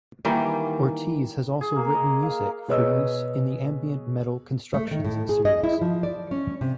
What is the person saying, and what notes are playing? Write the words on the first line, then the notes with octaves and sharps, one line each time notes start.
Ortiz has also written music for use in the Ambient Metal Constructions series.
D#3 E3 G3 A#3
G#4
A#3
D#5
F5
B2 G#4 B4 C#5 D#5 E6
A3
D#3
A2
G#4
D#5
E4
F3
D5
C#4
C3